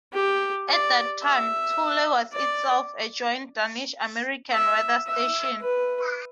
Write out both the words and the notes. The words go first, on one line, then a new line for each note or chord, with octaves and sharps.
At that time, Thule was itself a joint Danish-American weather station.
G4
D5
E5
D5
E5
E5
B4